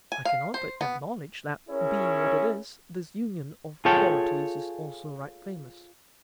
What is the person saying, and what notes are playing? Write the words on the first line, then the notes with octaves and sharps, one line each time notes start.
'I cannot but acknowledge that, being what it is, this union of qualities is also right famous.'
G#5
F5
C5
B3
C#4 E4 G#4 A#4 C#5
F4 G#4 A4 C#5 G5 A5